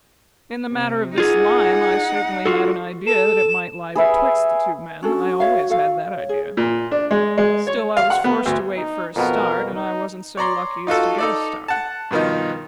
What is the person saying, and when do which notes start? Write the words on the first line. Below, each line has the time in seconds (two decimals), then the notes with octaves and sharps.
In the matter of this lime, I certainly had an idea that it might lie betwixt the two men; I always had that idea. Still I was forced to wait for a start, and I wasn't so lucky as to get a start.
0.71 C3
1.18 D#4 F4 G#4 F#5
2.46 F4 F#4 A4
3.07 A4 E7
3.95 G#4 B4 E5
5.03 C#4 D4 F#4 A4
5.40 C#5 E5 F5
5.70 A4 F5
6.14 C#5
6.29 G#4
6.57 A#2
6.91 D4
7.11 G#3
7.38 G#3
7.67 C#5
7.97 F5
8.10 F#5
8.24 B3
8.46 D2
8.77 D#4
9.16 F2 B2 B3 A#4
9.75 D#4
10.37 C#5 D5 A#5 C6
10.87 D#4 F4 F#4 A4
11.18 D#4 A4 D5
11.68 F#5 A5
12.11 G2 B2 D#3 F3 D#4